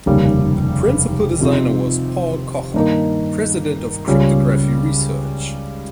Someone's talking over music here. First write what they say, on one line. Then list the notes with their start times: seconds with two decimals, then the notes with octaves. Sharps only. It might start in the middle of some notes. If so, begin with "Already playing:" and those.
The principal designer was Paul Kocher, president of Cryptography Research.
0.06 F1 D#2 C#3 G3 A#3
1.41 C3 F3 C4 D#4
2.74 G2 D#3 A#3 D#4 A#4
4.08 C#2 C#3 G3 C#4 F4